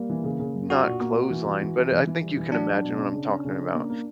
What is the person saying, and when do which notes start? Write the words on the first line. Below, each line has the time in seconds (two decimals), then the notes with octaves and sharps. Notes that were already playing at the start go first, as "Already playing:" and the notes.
not clothesline- but I think you can imagine what I'm talking about,
Already playing: G3 A#3
0.10 E3
0.24 C#3
0.39 C#3
0.54 F#2
0.70 D4 F#4
0.86 A#2
1.00 A#3
1.16 A#3
1.30 E3
1.46 E3
1.61 E3
1.77 E3
1.92 E3
2.07 E3
2.22 G3
2.37 E3
2.52 F#3 D4
2.68 F#3
2.83 B2
2.98 C#4
3.14 C#3
3.29 C#4
3.45 C#3
3.60 C#4
3.74 A#3
3.90 A#3